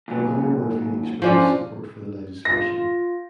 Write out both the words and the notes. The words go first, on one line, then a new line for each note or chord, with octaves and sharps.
Governor Murphy expressed support for the legislation.
D#2 G#2 F#3
E3 F3 C#4 D4 F4 A4
F4 A#6